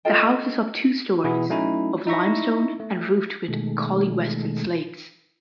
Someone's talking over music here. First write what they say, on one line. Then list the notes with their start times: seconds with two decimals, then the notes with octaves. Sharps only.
The house is of two stories, of limestone and roofed with Collyweston slates.
0.05 F4 A4 D#5 G5
1.24 B2 E3 B3 E4 G#4
1.50 F#3 A3 C#4 D#4 E4
2.07 D#4 E4 E5 C#6 A#6
2.80 A3
3.48 B2 D#3 G#3 A3